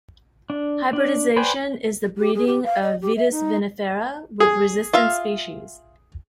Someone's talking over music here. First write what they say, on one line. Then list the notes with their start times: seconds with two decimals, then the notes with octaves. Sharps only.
Hybridization is the breeding of "Vitis vinifera" with resistant species.
0.50 D4
0.93 D4
1.36 B4 C5 D5 G5 G#5
2.18 G4
2.35 G#4
2.47 G4
2.65 F5
2.82 D#5
3.02 G4
3.17 E5
3.31 D#4
4.40 G#4
4.93 F4 E5 F5